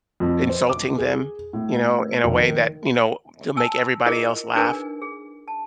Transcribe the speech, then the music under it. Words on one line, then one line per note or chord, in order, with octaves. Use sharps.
insulting them, you know, in a way that, you know to make everybody else laugh,
F2
C5
D6
G#4
A2
F1
D#3
G#5 A5 E6
E4 F4 G#4 A#4 D#5 E5
D4 D#4 G#4 A#4 B4 G#5
G#4
A5